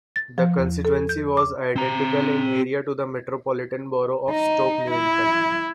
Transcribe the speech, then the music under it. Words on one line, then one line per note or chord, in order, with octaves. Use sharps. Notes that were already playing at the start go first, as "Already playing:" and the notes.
The constituency was identical in area to the Metropolitan Borough of Stoke Newington.
A6
F3
E2
A4
G6
D6
C4 A#5
D#4
E4